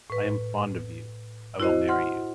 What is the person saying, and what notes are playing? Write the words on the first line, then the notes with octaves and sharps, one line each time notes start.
I am fond of you. I will marry you.
A2 B4
E4 F#4 C5 D#5
F#5 C6 F6